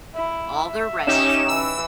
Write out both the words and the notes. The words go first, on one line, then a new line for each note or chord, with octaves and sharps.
all their rent,
E4
E5
C#4 D#4 G4 E7
E3 E6